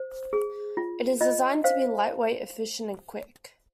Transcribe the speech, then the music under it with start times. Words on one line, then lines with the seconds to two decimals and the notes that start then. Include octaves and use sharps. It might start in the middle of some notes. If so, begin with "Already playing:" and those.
It is designed to be light-weight, efficient and quick.
Already playing: C5
0.33 G#4
0.77 F4
1.21 F4 D#5
1.64 C5 F5